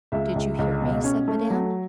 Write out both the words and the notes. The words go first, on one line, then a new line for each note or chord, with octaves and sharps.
"Did you hear me?" said Madame.
C#2 E5
C#2
C#2
B2
C#4
A3
F#3